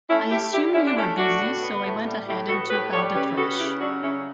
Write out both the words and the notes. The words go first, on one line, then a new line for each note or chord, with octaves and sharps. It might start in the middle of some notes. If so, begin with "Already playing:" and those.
I assumed you were busy, so I went ahead and took out the trash.
A3 C#4 E4
A3 E4 G4
D3 E4 G4
D3 C#4 E4
D4
A3 C#4 E4
A3 D4 F#4
A2
B3
A2
G3
A2 E4 G4
B3 F#4 A4
A2 G4 B4
G3 A4 C#5
C#3 G4 B4
B3 F#4 A4
C#3 E4 G4
F#3 D4 F#4
C#3 C#4 E4